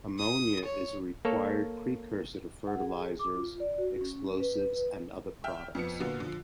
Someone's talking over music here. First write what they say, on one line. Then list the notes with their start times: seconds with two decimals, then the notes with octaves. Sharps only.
Ammonia is a required precursor to fertilizers, explosives, and other products.
0.18 D#6
0.65 C#5
1.25 A#3 A4 C#5
2.67 F#5
2.80 G#4
3.19 D6
3.34 F4
3.60 D5
3.78 F#4
4.01 C#4
4.40 B4
5.44 E5 G5 F6
5.75 F2 F3 B3 C#7
6.00 A#2 D3 B3 F4 F#4
6.20 D3 F3